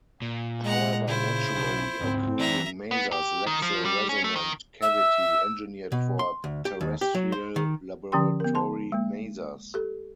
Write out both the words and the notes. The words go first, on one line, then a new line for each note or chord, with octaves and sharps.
However, naturally occurring masers lack the resonant cavity engineered for terrestrial laboratory masers.
A#2
G#3 F#5 A#5
C#3 E4 C5
B1
D2 G#2 C4
E3 D5 E5 A#5
B3
G4
D#3
F3
G3
C#4
A3
D#3
E5 E6
B2
C6
D2
G4
D#2
G4
F#3
C5
D#3
D3 F3 C#4 G4 G5 C6
B3 A#4
A5 C6
G#3 A#3
G4 A4